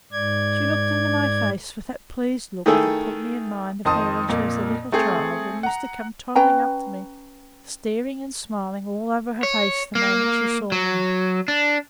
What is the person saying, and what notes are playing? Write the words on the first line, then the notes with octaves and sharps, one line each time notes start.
She looked into my face with that pleased look that put me in mind of her when she was a little child and used to come toddling up to me, staring and smiling all over her face the moment she saw me.
G#2 D5 G#6
D#3 A3 E4 G#4 A4
F2 D#3 C5 A5 D#6
F2 A#2 A#3
A3 C4 G#4 A4
F#5 A#5
C#4 B4 G5 A#5
C#5
A#3
F#3
D4